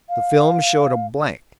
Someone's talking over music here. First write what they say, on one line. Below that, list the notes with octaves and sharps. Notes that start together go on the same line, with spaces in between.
The film showed a blank.
F5